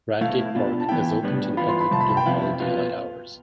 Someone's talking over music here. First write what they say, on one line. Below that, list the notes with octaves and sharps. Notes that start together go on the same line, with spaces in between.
Bradgate Park is open to the public during all daylight hours.
B2 A3 E4 F5
B2 B3 D4 F4
A5
E3 B3 E4 G5
A2 G3 B3 D4
E3 B3 F4 B5
C6
B5
F2 C3 G3 A5
B5
A5
G5
F2 C3 F3 B3 E4 F5
B2 B3 F4